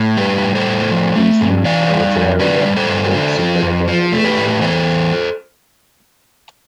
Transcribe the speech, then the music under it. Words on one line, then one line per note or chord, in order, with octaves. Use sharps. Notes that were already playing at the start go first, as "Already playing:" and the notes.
These used Carrozzeria Touring Superleggera roadster bodies.
Already playing: A2
G3 G4 B4
A2
A4 C5
A2
F3
A3
G2
E3 D5 F5
G3
F2
D3 B4 D5
G3
A4 C5
G2
D3
F3
F2
F3
A3
G4 B4
A2
E3 A4 C5